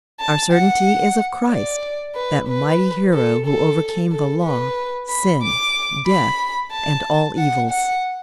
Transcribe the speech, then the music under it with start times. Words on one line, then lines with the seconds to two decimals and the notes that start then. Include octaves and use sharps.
Our certainty is of Christ, that mighty Hero who overcame the Law, sin, death, and all evils.
0.21 A5
0.53 F#5
1.50 D5
2.15 B4
2.48 B4
3.14 A4
3.46 A4
4.12 A4
4.44 B4
5.09 B5
5.42 D6
6.07 B5
6.72 A5
7.37 F#5
7.70 F#5